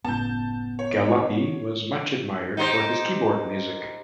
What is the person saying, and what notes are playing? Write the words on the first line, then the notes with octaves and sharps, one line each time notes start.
Galuppi was much admired for his keyboard music.
F#1 A2 C#3 B3 A5 G6
C#5
D#4 G4 C5